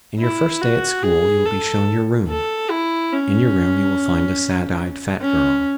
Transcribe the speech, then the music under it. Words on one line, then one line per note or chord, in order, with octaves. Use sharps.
In your first day at school you will be shown your room; in your room you will find a sad-eyed fat girl.
E4
F#4
G#4
A4
A4
E4
C#4
C#4